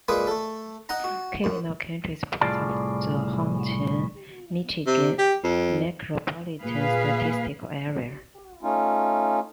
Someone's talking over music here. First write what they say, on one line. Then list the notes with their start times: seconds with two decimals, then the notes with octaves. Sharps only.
Keweenaw County is part of the Houghton, Michigan, Micropolitan Statistical Area.
0.08 A#2 G#3 G#4 B4 D6 D#6
0.27 A3 A4
0.89 D#4 D#5 F#5 A#5
1.04 F#4
1.44 F#2
2.41 C2 A2 F4 G#4 D5 A5
4.86 C3
5.18 G4
5.44 F2
6.61 A#2 G#4 B4 F5
8.63 A3 C#4 D#4 F4